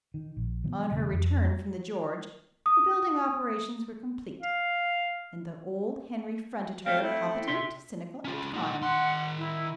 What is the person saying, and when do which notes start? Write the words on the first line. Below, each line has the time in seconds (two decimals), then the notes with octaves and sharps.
On her return from the George the building operations were complete, and the old Henry fronted her, competent, cynical, and kind.
0.14 D#3
0.37 A#1
0.64 D#3 F#3 B3
0.91 E1 C#3 E3 C4
1.13 F2
2.66 D#6
4.42 F5
6.86 A3 C4 F5
7.02 E4
7.48 C3 E5 C6
8.25 C#4 F4
8.54 D#4 F#5
8.82 D#3 F#5 C6
9.38 E4